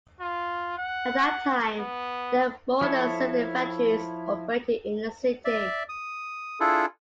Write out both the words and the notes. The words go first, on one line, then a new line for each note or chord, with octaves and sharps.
At that time, there were more than seventy factories operating in the city.
F4
F#5
B3
F3 E4 A4 C#5
D5 E5
D#6
D4 E4 F4 G#4 A4